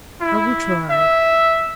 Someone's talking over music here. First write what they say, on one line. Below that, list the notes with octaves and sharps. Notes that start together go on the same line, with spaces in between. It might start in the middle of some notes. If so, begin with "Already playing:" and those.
"I will try."
E4
E5